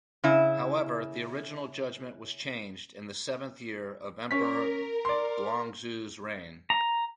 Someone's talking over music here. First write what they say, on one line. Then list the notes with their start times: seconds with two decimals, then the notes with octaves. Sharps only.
However the original judgment was changed in the seventh year of Emperor Guangxu’s reign.
0.24 C#3 E4
4.31 C#4 A#4 B6
5.05 D5 C6
6.70 A#5